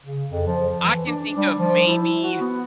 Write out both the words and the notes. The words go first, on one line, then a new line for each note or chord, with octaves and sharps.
I can think of maybe
C#3
F2
F3
E3
D4
G3
F3
E4
F#4
B3